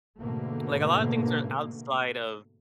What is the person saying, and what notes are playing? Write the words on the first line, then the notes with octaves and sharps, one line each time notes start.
Like a lotta things are outside of,
G#2 B2 D3 A3 A#3